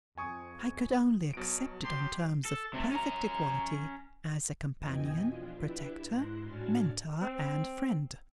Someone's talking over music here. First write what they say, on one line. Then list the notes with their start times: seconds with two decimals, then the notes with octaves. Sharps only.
'I could only accept it on terms of perfect equality, as a companion, protector, Mentor, and friend.'
0.18 F2 G#5 C#6 D#6
1.33 B2 F#3 D7
1.83 G4 C6
2.45 A4
2.74 C3 A3
2.91 C#4 A#5
4.78 F2 B2 E3 D#5 G5 G#5
5.26 F3 D4 F4
5.54 D4 E4 G4 B4 E5
6.01 G#2 E4 C6 F#6 A#6
6.39 A2 D4 F#4 G#5 F6 A6
7.22 C4